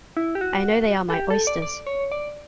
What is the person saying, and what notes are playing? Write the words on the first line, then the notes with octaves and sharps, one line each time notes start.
I know they are my oysters.
E4
G4
F#4
A4
G4
A4
D5
D5
C#5
D5